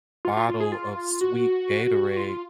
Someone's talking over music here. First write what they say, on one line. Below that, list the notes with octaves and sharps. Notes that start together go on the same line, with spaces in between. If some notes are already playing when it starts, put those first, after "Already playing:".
bottle of sweet Gatorade,
F4
F4
F4
G#4
F4
F#4
F4